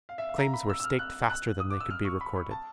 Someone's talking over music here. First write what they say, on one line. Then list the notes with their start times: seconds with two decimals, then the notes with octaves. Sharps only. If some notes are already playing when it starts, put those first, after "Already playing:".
Claims were staked faster than they could be recorded.
0.09 F5
0.18 E5
0.29 F5
0.38 A#5
0.54 B5
0.70 E6
0.80 E6
0.84 F6
0.99 F#6
1.30 F#6
1.60 D#6
1.70 D6
1.81 E6
1.90 F6
2.05 C#6
2.21 B5
2.36 B5
2.51 A5